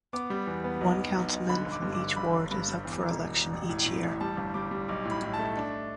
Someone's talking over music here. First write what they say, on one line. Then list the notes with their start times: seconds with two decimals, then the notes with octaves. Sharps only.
One councilman from each ward is up for election each year.
0.13 B3 D6
0.30 G3
0.47 E2
0.64 B3
0.81 B1
0.98 B1
1.16 B1
1.33 B1
1.49 D3 B5
1.66 G1
1.72 D6
1.82 G2
1.94 D6
2.00 D3
2.16 G1 B5
2.34 G1
2.51 G2 B5
2.68 G3
2.85 E2
3.02 E1
3.19 E1
3.36 E1
3.53 A1
3.69 A2
3.86 A2
4.04 A1
4.21 G3 A5
4.37 G1
4.54 G3 D6
4.71 G3
4.88 B1 D6
5.05 A2
5.11 B5
5.23 A2
5.34 A5
5.39 A3
5.57 D4